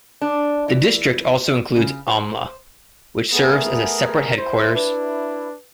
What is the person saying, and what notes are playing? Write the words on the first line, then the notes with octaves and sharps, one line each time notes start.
The district also includes Amla, which serves as a separate headquarters.
D4
E3
C#3
C5
A3 B3 G#4 A#4
E4 C5
D4 B4